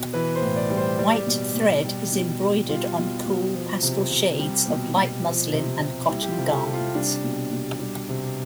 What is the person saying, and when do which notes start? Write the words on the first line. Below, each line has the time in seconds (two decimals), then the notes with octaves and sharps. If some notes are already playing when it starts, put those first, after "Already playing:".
White thread is embroidered on cool, pastel shades of light muslin and cotton garments.
Already playing: B2
0.13 E3 B4
0.35 C5
0.42 A2
0.56 D5
0.70 G3
0.77 C5
0.99 G3 D5
1.27 B2
1.55 B2
1.84 G3
2.13 B2
2.41 B2
2.69 G3 F4
2.97 B2
3.26 B2
3.54 F3
3.83 C3
4.11 C3
4.40 G3
4.68 B2
4.97 B2
5.24 F3
5.53 C3
5.81 C3
6.10 G3 E4
6.23 G4
6.31 F4
6.38 C3
6.47 A4
6.53 G4
6.67 C3 G4
6.73 F4
6.95 G3 D4
7.23 B2
7.51 B2
7.80 G3
8.09 C3